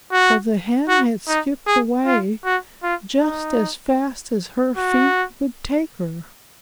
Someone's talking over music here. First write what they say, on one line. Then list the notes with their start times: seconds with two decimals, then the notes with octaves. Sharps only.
For the Hen had skipped away just as fast as her feet would take her.
0.12 F#4
0.89 F#4
1.28 D#4
1.67 G#4
2.06 F4
2.45 F#4
2.83 F4
3.22 D#4
4.77 F#4